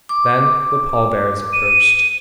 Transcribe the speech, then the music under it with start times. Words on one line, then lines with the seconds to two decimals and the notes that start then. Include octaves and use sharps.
Then the pallbearers approached.
0.09 D6
1.53 D#7